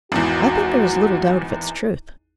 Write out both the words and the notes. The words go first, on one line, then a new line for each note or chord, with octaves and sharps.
I think there is little doubt of its truth.
G#1 E2 F#4